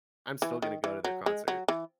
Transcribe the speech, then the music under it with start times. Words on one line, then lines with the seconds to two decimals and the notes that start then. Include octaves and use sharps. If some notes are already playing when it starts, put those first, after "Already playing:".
I'm still gonna go to their concert."
0.42 E3
0.62 D#3
0.84 E3
1.04 F#3
1.26 G#3
1.48 F#3
1.68 E3